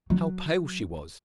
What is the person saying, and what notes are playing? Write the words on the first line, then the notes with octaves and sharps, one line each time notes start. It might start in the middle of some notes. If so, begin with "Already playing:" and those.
How pale she was!
F#3